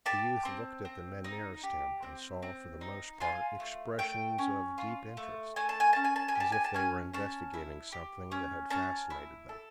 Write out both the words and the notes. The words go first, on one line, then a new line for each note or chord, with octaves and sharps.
The youth looked at the men nearest him, and saw, for the most part, expressions of deep interest, as if they were investigating something that had fascinated them.
G4 A5
C4
C4
D#4
G4
C4
C4
D#4
F4 G#5
A3
A3 G5
C#4
F4
A3
A3 G#5
A5
G#5
C#4 A5
G#5
A5
G#5
G4
A5
G#5
A5
C#4 G#5
C#4 A5
E4
G4
C#4
C#4 A5
E4
A4